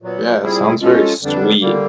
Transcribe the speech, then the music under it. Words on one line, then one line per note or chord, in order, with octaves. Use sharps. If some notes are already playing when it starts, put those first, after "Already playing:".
Yeah, it sounds very sweet.
A#2 F#3 B3
A#2 G3 C4 E4 G#4
F3 G#3 C#4 F4 A4
F2 D3 G3 B3 D4
D3 G3 A#3